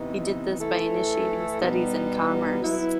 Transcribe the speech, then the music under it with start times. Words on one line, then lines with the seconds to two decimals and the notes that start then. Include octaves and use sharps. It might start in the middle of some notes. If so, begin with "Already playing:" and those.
He did this by initiating studies in commerce.
Already playing: C3 E3 B3 D#4
0.58 E3 A3 E4 A4
1.59 B2 G3 B3 D#4
2.60 F#3 B3 E4